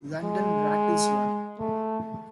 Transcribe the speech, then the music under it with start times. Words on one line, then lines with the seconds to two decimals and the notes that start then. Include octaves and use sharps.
London rattles one.
0.24 G#3
1.59 A3